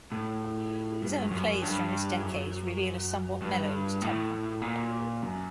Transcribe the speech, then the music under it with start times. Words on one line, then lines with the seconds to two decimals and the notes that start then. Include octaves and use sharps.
His own plays from this decade reveal a somewhat mellowed temper.
0.12 A2
1.02 G2
1.31 F#2
1.62 G2
2.21 F#2
3.41 G2
4.02 A2
4.62 A#2
5.22 F#2